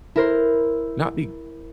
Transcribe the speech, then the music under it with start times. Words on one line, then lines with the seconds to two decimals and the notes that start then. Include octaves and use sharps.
not be
0.16 E4 A#4 C5